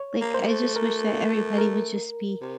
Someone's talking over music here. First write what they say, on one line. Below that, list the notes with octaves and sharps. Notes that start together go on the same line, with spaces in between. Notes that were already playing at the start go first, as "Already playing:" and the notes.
Like, I just wish that everybody would just be
Already playing: C#5
A#3
C5
A3
A#4
A#4
C3